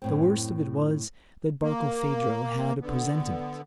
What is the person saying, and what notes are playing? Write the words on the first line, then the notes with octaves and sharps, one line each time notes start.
The worst of it was that Barkilphedro had a presentiment.
F#2 A2 C4
A#3
D3 B3